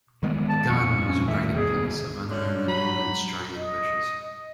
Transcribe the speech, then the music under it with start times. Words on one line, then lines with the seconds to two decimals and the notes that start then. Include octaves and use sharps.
The garden was a ragged place of unmown lawn and straggling bushes.
0.23 D#3 G#3 B3
0.49 A5
0.70 F2 A#2 C#6
1.08 C#4
1.28 D#2 A2 E5
1.56 G1 D#2 B2 G#4
2.30 F#2 D3 C#5
2.68 F#3 D#4 F#4 B5
3.57 D#5